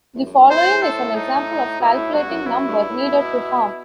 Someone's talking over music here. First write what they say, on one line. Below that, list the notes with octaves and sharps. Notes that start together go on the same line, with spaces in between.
The following is an example of calculating number needed to harm.
E2
F#2
G2
A2 C5
A4
D#4
B2 E4
A2
G2 F#4
F#2
F#2 E4
G2
A2
B2